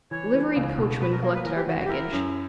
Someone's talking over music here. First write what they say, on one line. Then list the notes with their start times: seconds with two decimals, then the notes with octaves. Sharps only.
Liveried coachmen collected our baggage.
0.11 E3 C#5
0.34 E3
0.56 C#2
0.78 B2
1.00 B2 B4
1.12 A#4
1.22 A#3 A#4
1.34 B4
1.45 E3 A#4
1.56 G4
1.67 E3 F#4
1.79 F#4
1.85 G4
1.89 E4 A#4
2.12 F#2